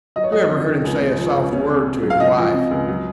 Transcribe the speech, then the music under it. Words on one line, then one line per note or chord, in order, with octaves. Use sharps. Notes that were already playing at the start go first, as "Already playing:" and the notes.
Who ever heard him say a soft word to his wife?
F#3 D#5
C#5
F#3 D#5
F2
D#3
C#2
C4
F3
C#2
C#4
C3
C3
F#3
F5
C#2 D#5
F3
C3
C#2
F#3